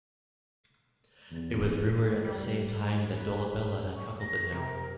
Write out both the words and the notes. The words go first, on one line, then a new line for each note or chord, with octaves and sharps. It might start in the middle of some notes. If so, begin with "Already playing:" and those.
It was rumoured at the same time that Dolabella had cuckolded him.
E2
G3
B4
C#6
A#6
C3 A#4